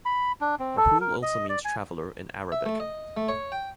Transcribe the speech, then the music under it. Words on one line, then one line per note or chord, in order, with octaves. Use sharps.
Rahul also means "traveler" in Arabic.
B5
D4
C4
A4
A#4
D#5
D5
G#5
E5
A3
D#5
A3
C#5
G5